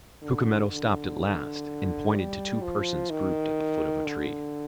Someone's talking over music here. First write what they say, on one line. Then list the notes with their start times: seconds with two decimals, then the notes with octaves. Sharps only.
Cucumetto stopped at last, and pointed to two persons grouped at the foot of a tree.
0.23 D3
0.71 D3
2.14 G3
2.62 F3
3.10 D#3
4.06 D3